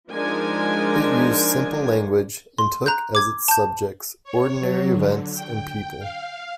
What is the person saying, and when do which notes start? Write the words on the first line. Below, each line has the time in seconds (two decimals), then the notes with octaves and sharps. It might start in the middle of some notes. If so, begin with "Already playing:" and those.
It used simple language and took as its subjects ordinary events and people.
0.11 F3 G#3 D4 D#4 A#4 G#5
2.58 C6
2.86 A#5 F#6 G6
3.15 D6 G#6
3.48 A5 G6
4.24 C#5
4.60 F#3
4.93 D3
5.34 G5
5.99 F5